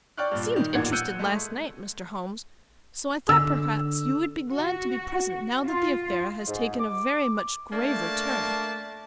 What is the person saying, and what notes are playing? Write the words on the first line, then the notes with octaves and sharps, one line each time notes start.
"You seemed interested last night, Mr. Holmes, so I thought perhaps you would be glad to be present now that the affair has taken a very much graver turn."
D4 D5 G5 C#6 F6 F#6
G2 A#2
D#3 D#4
A1 E2 A#2 A#3 F#5 G#6
E6 F#6 G6 C#7 D#7
G#3 A3
D3 E6
F#4
F4
G#2
D6
A3 A#3 D4 A5